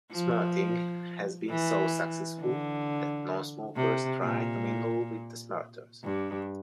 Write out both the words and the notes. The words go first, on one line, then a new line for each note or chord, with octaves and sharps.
Smirting has been so successful that non-smokers try to mingle with the smirters.
F3
E3
D3
C3
A#2
G2